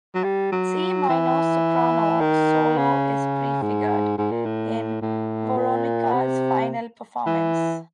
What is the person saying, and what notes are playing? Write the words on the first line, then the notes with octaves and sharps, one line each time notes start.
Its E minor soprano solo is prefigured in Weronika's final performance.
F#3
G3
F#3
E3
D#3
C#3
G#2
G#2
A#2
A2
A2
A#2
C3
E3